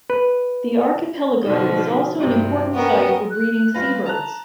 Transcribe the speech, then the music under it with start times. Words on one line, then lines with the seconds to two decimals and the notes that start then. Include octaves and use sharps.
The archipelago is also an important site for breeding seabirds.
0.10 B4
1.43 B2 D3 F3 D#4 F#4
2.18 G2 C3
2.74 B3 C#4 A#4 D#5 G5 C#6
3.31 F#6
3.74 G3 F4 B4 A#6
4.06 A5 A#5 F#6 F7